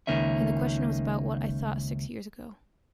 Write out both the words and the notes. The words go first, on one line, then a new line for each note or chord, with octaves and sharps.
And the question was about what I thought six years ago.
C#2 D#3 A#3 C#4 E5